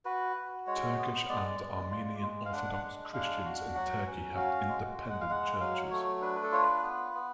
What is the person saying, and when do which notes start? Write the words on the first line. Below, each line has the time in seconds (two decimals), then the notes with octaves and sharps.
Turkish and Armenian Orthodox Christians in Turkey have independent Churches.
0.05 F#4 B4
0.36 F#4
0.67 G#3 C#5
0.98 B3
1.29 G#3 D5
1.59 G#3
1.91 F4
2.22 G#3
2.45 F5
2.52 D4 F#5
2.83 G#3
3.13 D4 F5
3.45 F#4
3.75 F#3 F#5
4.06 C#4
4.36 F#4 F5
4.68 G#3
4.98 G#3
5.10 F#5
5.21 F5
5.29 G#3 F#5
5.61 F#3 F5
5.91 A3 C#5
6.21 D4 B4
6.36 B4
6.43 A4
6.52 F4 C#5
6.62 B4
6.83 B3
7.14 B3